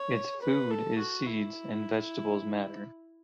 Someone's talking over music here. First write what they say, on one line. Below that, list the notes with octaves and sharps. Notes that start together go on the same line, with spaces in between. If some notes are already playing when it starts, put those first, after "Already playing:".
Its food is seeds and vegetable matter.
Already playing: C#5
B4
A4
F#4
E4